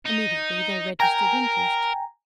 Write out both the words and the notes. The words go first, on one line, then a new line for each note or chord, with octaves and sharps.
Immediately, they registered interest.
D#4
A#4 G5 G#5 A#5